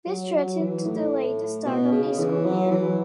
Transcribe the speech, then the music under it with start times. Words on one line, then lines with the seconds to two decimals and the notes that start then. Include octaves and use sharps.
This threatened to delay the start of the school year.
0.06 F#3
0.33 F#3
0.59 E3
0.86 A2
1.66 B2
1.92 C#3
2.19 E3
2.45 F#3
2.71 E3